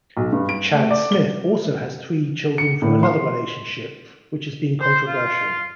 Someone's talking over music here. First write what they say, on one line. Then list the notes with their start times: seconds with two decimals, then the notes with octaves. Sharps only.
Chad Smith also has three children from another relationship, which has been controversial.
0.17 B1
0.32 G2
0.49 D7
0.72 A3
0.91 D5
1.12 G7
2.58 C#7
2.82 A2
3.03 C6
4.81 C5
5.07 F4